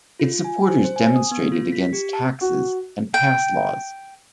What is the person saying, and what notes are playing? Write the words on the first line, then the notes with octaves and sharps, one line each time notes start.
Its supporters demonstrated against taxes and pass laws.
F4
G#5
C5
C5
G#5
D#6
B3
F4
B6
G4
A5
F#4
G5